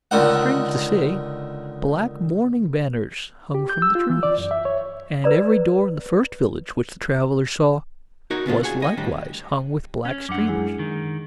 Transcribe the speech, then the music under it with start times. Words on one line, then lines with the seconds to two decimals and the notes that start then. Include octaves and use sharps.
Strange to say, black mourning banners hung from the trees, and every door in the first village which the travelers saw was likewise hung with black streamers.
0.11 C#2 D3 D#3 F#5
3.55 G4
3.69 G6
3.82 E6
3.95 F4
4.10 E3
4.23 D5
4.38 F#2
4.51 E5
4.65 C#5
5.24 B4 C5 D5 A#5
8.30 D#4 F#4 A#4 C#5
8.46 C#3 B3 D4 F4
8.63 F#4 G#4 G#5
8.80 C2 D#5 G5
8.97 A2 D#3 G3 D4
10.05 C#4
10.29 F#2 D4 F#5 D6
10.47 G#3 E4 G#4
10.79 D#3